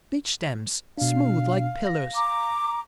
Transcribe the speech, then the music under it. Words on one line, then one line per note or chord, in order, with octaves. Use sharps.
Beech stems, smooth, like pillars.
B2 D4 F5
F5 A#6
A#5 D6